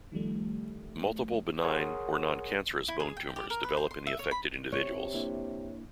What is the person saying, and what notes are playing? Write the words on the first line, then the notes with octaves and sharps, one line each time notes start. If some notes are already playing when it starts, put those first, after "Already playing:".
Multiple benign or noncancerous bone tumors develop in the affected individuals.
D#3 F3 G3 A3
G#4 A#4 C#5 F#5 C6 D#6
E4
G#4
G5
G4
A#4
B4
C5
C6
E5
C#5
B5
C3 C#5
A#3 D4 E4